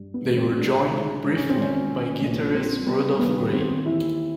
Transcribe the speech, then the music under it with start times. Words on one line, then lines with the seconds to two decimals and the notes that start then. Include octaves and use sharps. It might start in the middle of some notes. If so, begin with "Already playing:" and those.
They were joined briefly by guitarist Rudolph Grey.
Already playing: G2
0.14 B3
0.25 A1
0.37 C4
0.58 G#3 D4
0.91 G#3
1.23 G#2 D4
1.36 C#4
1.49 C4
1.57 G#1
1.62 C#4
1.89 A#2
2.22 A#1
2.54 G3 C4
2.86 G3 B3
3.19 D#2 B3
3.53 D#2 C4
3.85 E3 E4